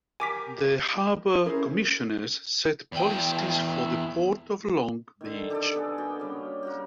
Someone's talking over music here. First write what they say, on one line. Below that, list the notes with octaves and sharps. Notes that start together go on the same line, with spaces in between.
The Harbor Commissioners set policies for the Port of Long Beach.
G4 A#4 G#5 D6 B6
C#4 E4 G#4 A#4 C5
E2 G5
D3 D#3
G4 A4 D5
B3 G#4
A#3 F#4 G5
C#3 G3
A#3 F#4 G4